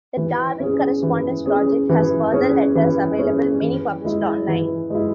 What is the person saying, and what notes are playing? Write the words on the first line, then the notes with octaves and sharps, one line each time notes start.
The Darwin Correspondence Project has further letters available, many published online.
E3
C#4 G#4
E3
C#4 G#4
E3
C#4 G#4
E3
C#4 G#4
E3
G#3 E4
E3
G#3 E4